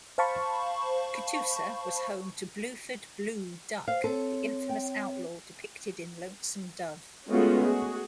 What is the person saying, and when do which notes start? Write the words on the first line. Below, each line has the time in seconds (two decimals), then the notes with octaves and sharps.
Catoosa was home to Bluford "Blue" Duck, the infamous outlaw depicted in "Lonesome Dove".
0.18 C5 F5 A5 B5 C#6
3.88 C5 F5
4.04 C4 A4 C#5
4.69 G5
7.29 G#3 A3 B3 C#4 F4 F#4
7.66 F#4 G#4